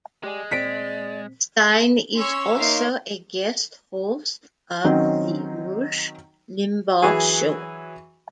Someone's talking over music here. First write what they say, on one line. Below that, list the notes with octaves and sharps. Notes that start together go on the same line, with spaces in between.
Steyn is also a guest host of "The Rush Limbaugh Show".
G#3 G4 D5 G#5
A#2 C4 D5 B6 D7
C#4 C#5 C6 C#6 E6
A#3 D#4 C#5 E5 F5 C6 C7
D#3 F#3 C4 C#4 D#4
E3 F#3 G#4